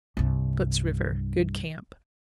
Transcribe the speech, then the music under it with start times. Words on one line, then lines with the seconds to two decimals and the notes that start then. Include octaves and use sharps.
Soot's River.--Good camp.
0.17 C2 G2